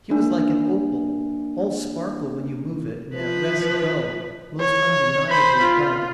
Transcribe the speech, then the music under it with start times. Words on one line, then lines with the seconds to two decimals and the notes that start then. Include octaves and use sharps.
She was like an opal--all sparkle when you move it, and at rest dull, most undeniably dull.
0.10 A#3 D4
3.14 F3 B4
4.60 C#5
5.29 C5 B5
5.62 F4